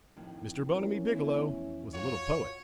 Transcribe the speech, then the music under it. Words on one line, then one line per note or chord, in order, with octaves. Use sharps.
Mr. Bonamy Biggielow was a little poet.
F2 A2 D#3
C4 C#4 E4 A#4
E3 A3 B3 E4
F2
F2 F4 F#4 C#5